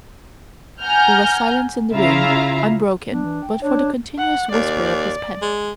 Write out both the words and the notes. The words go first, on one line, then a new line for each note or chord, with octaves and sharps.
There was silence in the room, unbroken but for the continuous whisper of his pen.
F#5 G#5 A#5 F6 G6
C#3 E4 F4 E5 F5 A#5
B3 D4
E3
G5
D4 C#5
F#5
D#2 D5
G#3